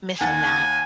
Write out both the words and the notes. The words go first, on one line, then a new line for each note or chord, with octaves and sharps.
Missing that.
D#2 F#5 G#5 A6